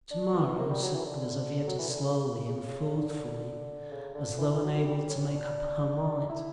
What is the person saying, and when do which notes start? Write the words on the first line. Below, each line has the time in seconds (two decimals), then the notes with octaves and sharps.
"To-morrow?" said Lizaveta slowly and thoughtfully, as though unable to make up her mind.
0.11 D4
0.34 B3
0.59 A#3
0.70 G3
0.82 F#3
0.94 E3
1.05 D3
1.68 F#3
1.79 E3
1.90 D3
2.01 C#3
2.96 D3
3.91 C#3
4.15 D3
4.38 E3
4.51 E3
4.63 F#3
4.75 F#3
4.86 G3
4.98 G3
5.10 C#4
5.22 C#4
5.34 D4
6.30 E4